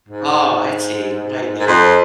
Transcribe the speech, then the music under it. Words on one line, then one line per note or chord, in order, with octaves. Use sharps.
Oh, I see, good idea.
G#2
G#2
F2